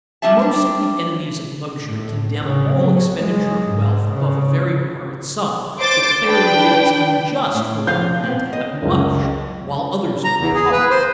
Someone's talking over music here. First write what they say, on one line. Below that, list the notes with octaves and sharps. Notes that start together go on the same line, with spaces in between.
Most of the enemies of luxury condemn all expenditure of wealth above a very moderate sum, declaring that it is "unjust" for one man to have much while others are in poverty.
F3 G3 C4 E5 A5
C4 D4
A2
C#3
F#3
G#3
G#2
C#3
C5 D6 A6
D4 B4 G5
A2
F3 F5 G6
B3 C4
D#5
F#1 C#2
A#5
E2
G#4
B4
C5